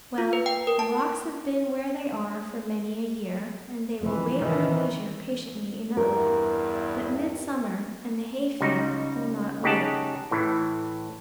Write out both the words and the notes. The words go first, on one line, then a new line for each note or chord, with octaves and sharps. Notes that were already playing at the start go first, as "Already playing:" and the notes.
Well, the rocks have been where they are for many a year, and they will wait our leisure patiently enough: but Midsummer and the hay- field will not wait.
F4
B4
G5
A#4
A5
F2 E3
D#3 E3
E2 G2 A#4
C#2 G3 D#4 F#4
C#3 D#4 G4 G#4 F#5 A5
A2 E3